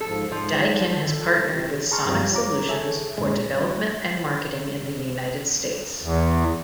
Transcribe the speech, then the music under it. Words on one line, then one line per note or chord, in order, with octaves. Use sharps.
Daikin has partnered with Sonic Solutions for development and marketing in the United States.
G#2 F3 A4
G#2 F3
A4
C3
G#4 A5 A#5 C6 C#6 F6
G2 F3 C4 G4 D5 F5
F4 C#5 A#5 D6
G#4 A4 C#5 E5
F#2 A#2 G#3
F#3
E2